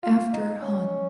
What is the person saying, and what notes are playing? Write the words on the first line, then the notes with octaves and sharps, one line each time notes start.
After Hon.
F4
D#4
C#4